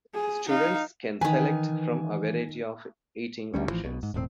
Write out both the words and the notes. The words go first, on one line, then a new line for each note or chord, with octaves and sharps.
Students can select from a variety of eating options.
G#4
D#4 F5
D#3 E3 B4 G#5
D2 G3 C#4
A1 E3 F3
B1 B2
G#2
E1 A2 G3 C4